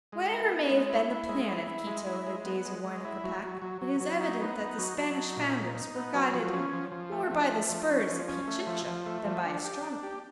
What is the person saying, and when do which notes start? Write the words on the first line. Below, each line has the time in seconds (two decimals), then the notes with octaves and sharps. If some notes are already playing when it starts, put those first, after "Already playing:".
Whatever may have been the plan of Quito in the days of Huayna-Capac, it is evident that the Spanish founders were guided more by the spurs of Pichincha than by astronomy.
0.12 G#3
0.32 E4
0.51 B3
0.71 G#3
0.90 E4
1.10 E4
1.29 G#3
1.49 E4
1.67 E4
1.87 G#3
2.07 E4
2.27 G#3
2.46 B3
2.65 G#3
2.84 G#3
3.04 E4
3.24 F#3
3.43 F#3
3.62 F#3
3.82 F#3
4.00 F#3
4.21 D#4
4.40 B3
4.60 D#4
4.78 F#3
4.98 F#3
5.17 D#4
5.37 A#2
5.56 D#4
5.75 D#4
5.95 B3
6.14 F#3
6.34 F3
6.53 C#4
6.73 F3
6.92 F3
7.12 A3
7.31 F3
7.51 A3
7.70 F3
7.89 C#4
8.09 F3
8.28 C#4
8.48 A3
8.67 F3
8.87 F3
9.06 A3
9.25 F3
9.45 D4
9.64 G4
9.84 D4
10.03 G4